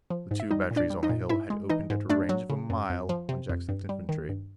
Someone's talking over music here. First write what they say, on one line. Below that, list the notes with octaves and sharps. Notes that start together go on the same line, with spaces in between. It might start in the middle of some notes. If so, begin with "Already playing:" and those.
The two batteries on the hill had opened at a range of a mile on Jackson's infantry.
F3
G#2
E5
G3 D#4 D#5
A#2
D4 D5
G3
D#4 D#5
A#2
G#2 E4 E5
G#3
E3 D#4 D#5
G#2
A3 D4 D5
F#3
C#3
F#2
F2
F3
C3
F2
G2
G3
D#3
G2